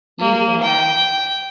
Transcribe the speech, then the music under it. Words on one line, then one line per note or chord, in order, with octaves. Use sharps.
you can
A#3
G5